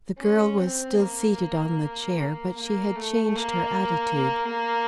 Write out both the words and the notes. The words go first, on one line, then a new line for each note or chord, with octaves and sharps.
The girl was still seated on the chair, but she had changed her attitude.
C#4
C4
A#3
A#3
A3
A#3